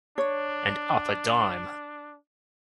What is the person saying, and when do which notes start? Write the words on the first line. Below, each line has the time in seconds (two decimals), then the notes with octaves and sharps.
And up a dime.
0.18 D4 C#5